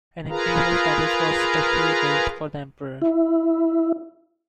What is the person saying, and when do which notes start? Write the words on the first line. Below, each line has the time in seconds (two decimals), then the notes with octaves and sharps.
An imperial palace was specially built for the emperor.
0.29 F4 G#4 A#4 B4 F5 A#5
3.02 E4